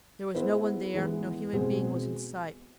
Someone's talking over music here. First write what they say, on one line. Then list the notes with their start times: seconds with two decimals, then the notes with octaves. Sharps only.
There was no one there; no human being was in sight.
0.35 B3 E4 G#4 C5
0.94 E3 G#3 B3
1.53 B2 G#3 C4 G#4